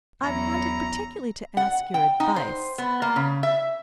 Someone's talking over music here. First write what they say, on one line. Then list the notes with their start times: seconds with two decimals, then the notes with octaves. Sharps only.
"I wanted particularly to ask your advice."
0.22 E2 F#3 C#4 E4 A#5
1.57 F#5
1.94 G5
2.20 D#4
2.36 C5
2.78 B3
3.02 A#3
3.16 C#3
3.43 E5